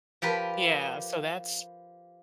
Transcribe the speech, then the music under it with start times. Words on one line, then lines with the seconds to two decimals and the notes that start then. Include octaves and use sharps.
Yeah, so, that's,
0.22 F3 G4 A#4 B4